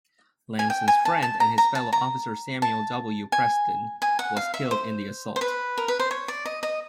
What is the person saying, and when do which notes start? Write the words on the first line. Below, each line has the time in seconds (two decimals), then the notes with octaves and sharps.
Lamson's friend and fellow officer Samuel W. Preston was killed in the assault.
0.59 G#5
0.70 G5
0.88 G#5
1.05 A5
1.22 A5
1.40 A#5
1.58 A#5
1.75 A5
1.93 A#5
2.62 A5
3.32 G#5
4.02 G#5
4.19 F#5
4.37 F5
4.54 E5
4.71 C5
5.36 C5
5.41 B4
5.78 A#4
5.88 B4
6.00 C5
6.11 C#5
6.28 D5
6.46 D#5
6.63 D#5